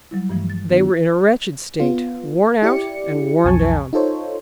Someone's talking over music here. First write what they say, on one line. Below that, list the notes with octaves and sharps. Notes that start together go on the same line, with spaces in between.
They were in a wretched state, worn out and worn down.
F#3 G3 E4
G2 E3 F3 A3
A6
D#3 B3 D4 F4
B3 F4
E4 G4 D5 C#7
B1 F2 G#5 A5 C#6
D#4 F4 A4 C5 C#5